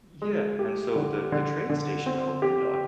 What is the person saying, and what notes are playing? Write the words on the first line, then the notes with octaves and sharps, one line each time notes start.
yeah and so the the train station opened up,
G#3
G4
D3
D3
D3
C4
G4